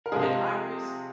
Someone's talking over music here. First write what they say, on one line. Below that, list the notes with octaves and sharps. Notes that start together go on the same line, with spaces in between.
And I was
A#4
C3 F3 G#3 G#4